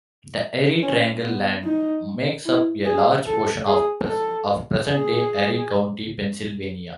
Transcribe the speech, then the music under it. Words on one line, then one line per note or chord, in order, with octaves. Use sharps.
The Erie Triangle land makes up a large portion of present-day Erie County, Pennsylvania.
C#4
B3
D#4
E4
G#4
A4
G#4
A4
G#4